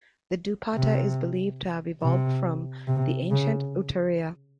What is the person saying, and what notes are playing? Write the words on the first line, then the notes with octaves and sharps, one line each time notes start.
The dupatta is believed to have evolved from the ancient Uttariya.
C3
C3
C3
C#3